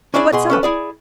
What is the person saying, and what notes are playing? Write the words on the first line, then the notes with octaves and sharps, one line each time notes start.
What's up?
C#4 D4 E4 G#4 C5 D5
B2 G#4 C6
C#4 A4 B4
E4 G#4 D5